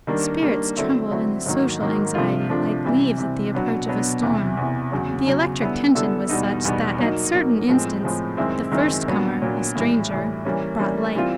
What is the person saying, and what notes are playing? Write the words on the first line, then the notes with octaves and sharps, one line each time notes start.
Spirits trembled in the social anxiety like leaves at the approach of a storm. The electric tension was such that at certain instants, the first comer, a stranger, brought light.
D#3 G3 A#3 D4
D#3 G3 A#3 D4
D3 F#3 A3 C4 E4
D3 F#3 A3 C4 E4
G#2 D#3 F#3 A#3
G#2 D#3 F#3 A#3
C3 F3 A3 D4 F4
C3 F3 A3 D4 F4
C3 E3 G3 C4
C3 E3 G3 C4
B2 F#3 B3 D4
B2 F#3 B3 D4
E2 C3 E3
E2 C3 E3
E2 C#3 F#3
E2 C#3 F#3
D3 G3 B3 E4 A4
D3 G3 B3 E4 A4
E2 B2 G3 B3 D#4
E2 B2 G3 B3 D#4
F#3 A#3 D#4
F#3 A#3 D#4
A2 F3 G#3 C4
A2 F3 G#3 C4
F#2 D#3 G#3 C4 E4
F#2 D#3 G#3 C4 E4
A#2 F#3 B3 D4
A#2 F#3 B3 D4
A2 E3 G3
A2 E3 G3
E3 G3 A#3 C#4
E3 G3 A#3 C#4
E3 G3 C4 F4